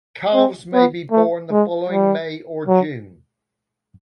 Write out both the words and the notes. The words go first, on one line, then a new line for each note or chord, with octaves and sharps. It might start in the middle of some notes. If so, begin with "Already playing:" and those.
Calves may be born the following May or June.
C4
B3
A3
G#3
G3
F#3